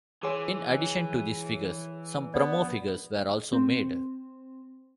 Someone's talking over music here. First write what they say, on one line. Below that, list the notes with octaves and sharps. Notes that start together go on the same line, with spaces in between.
In addition to these figures some promo figures were also made.
E3 G#4 C#5 G#5 C6 D6
B3 D5
C4